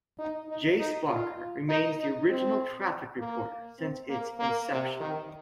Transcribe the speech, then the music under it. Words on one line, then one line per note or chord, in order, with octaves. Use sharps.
Jayce Barker remains the original traffic reporter since its inception.
D#4
D#4
D#4
F4
D#4
D#4
C4
A#3
C4
A#3
A#3
C3
D#3